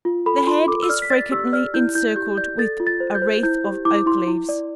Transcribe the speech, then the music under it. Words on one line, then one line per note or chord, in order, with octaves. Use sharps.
The head is frequently encircled with a wreath of oak-leaves.
F4
A4 B5
B5
F4 C6
A4 D6
E6
D5 F6
B6
D5 A6
G4 E6
D5 F6
E4 G6
E4 G6
G4 G6
D5 G6
A4 A6
F4
A6
C5
G6
C5
E4 G6
G4
E4 D6
E4 C6
E4
D5